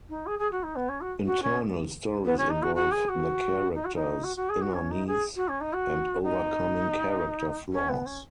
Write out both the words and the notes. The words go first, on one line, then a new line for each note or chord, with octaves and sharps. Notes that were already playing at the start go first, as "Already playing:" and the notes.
Internal stories involve the character's inner needs and overcoming character flaws.
D#4
G#4
G#4
F#4
D#4
B3
C#4
F#4
F#4
C#4
B3
C#4
D#4
F#4
F#4
G#4
F#4
D#4
F#4
D#4
F#4
F#4
G#4
F#4
C#4
D#4
G#4
F#4
C#4
D#4
F#4
D#4
C#4
B3
C#4